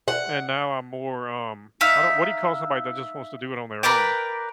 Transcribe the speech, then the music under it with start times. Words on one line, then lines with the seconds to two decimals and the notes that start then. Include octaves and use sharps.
and now I'm more, um, I don't what do you call somebody that just wants to do it on their own?
0.08 F#5
1.81 D#4 E5 F5
3.83 A#4 B4 D5 G5